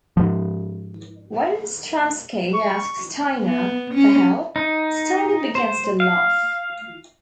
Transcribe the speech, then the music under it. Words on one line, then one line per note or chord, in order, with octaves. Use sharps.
When Stransky asks Steiner for help, Steiner begins to laugh.
G#2 F3
C#6
B3
C#4
D#4
C5
F5